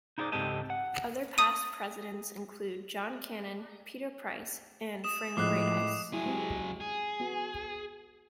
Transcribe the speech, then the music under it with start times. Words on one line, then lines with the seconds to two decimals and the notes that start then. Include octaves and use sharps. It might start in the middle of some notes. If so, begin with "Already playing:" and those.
Other past presidents include John Cannon, Peter Price and Frank Radice.
0.18 D#4 E4 G#4 C5 D5
0.32 C#2 G#2 C4 G4 A4 D#5
0.70 F#5
1.38 D#6 D#7
5.04 D#6 E7
5.37 A2 F3 G#3 D6 F#6 C7 E7
6.13 F#3 E4 G#4
6.26 G#3 C4 G4
6.81 G#4
7.20 B3 F#4